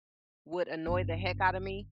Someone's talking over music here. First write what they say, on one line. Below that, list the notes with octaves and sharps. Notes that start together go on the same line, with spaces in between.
would annoy the heck out of me.
G1 C#3